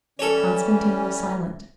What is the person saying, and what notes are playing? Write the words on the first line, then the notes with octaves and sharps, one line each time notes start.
Konstantin was silent.
E3 G3 C#4 A4 C#5